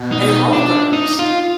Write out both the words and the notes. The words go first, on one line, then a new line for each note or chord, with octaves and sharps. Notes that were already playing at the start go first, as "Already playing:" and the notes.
And holograms.
Already playing: B2
D#4
D4
D#4
F4